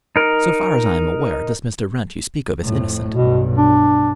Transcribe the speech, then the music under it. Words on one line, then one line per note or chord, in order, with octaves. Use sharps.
So far as I am aware, this Mr. Wrent you speak of is innocent.
D#4 A#4
F2 A2
B1 G2 B2
D4